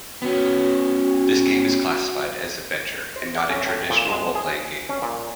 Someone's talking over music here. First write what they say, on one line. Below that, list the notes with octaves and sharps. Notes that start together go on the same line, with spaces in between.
This game is classified as Adventure, and not a traditional Role-playing game.
B3 C#4 F#4
C5
D5
C#4
A2
A#2
G#3
G#4
C#4
A#2